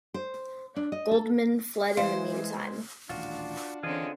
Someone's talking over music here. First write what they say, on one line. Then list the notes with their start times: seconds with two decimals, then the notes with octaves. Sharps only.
Goldman fled in the meantime.
0.14 C5
0.76 D4
0.92 D#5
1.11 A4
1.97 E3 G#3 C5 F5
3.09 D#1 A1 D4 F4 F#4
3.83 D3 E3 C4 C#4 F4 G#4 D#5